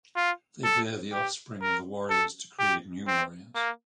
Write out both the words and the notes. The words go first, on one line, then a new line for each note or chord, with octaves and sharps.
They bear the offspring of the warriors to create new warriors.
F4
A4
G4
A#4
A4
G4
C4
A#3